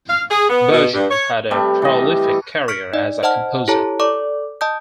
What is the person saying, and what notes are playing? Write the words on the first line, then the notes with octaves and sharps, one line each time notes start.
Berger had a prolific career as a composer.
F5
G#4
B3
B2
G2
C#5
C3 G3 A3 B4
E3 D#5
C#6 F6 B6 C#7 D7
D#4 D5 D#5
C5 D#5 F#5 A5 F6
E4 G4 A4 C#5 A5 A#5
A4 D5 C#6 D6
D#5 A5 D#6 G6